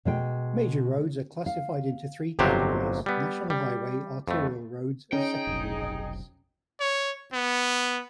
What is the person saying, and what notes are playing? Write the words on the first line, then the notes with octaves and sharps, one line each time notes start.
Major roads are classified into three categories: National Highway, Arterial Roads, and Secondary Roads.
B2 G#3 G5
F5
G1 F2 C3 F#3 G4 C5
G3 B3
G3
F2 A3
C#4 D#4 G#4 G5
F1 B1
C#5
B3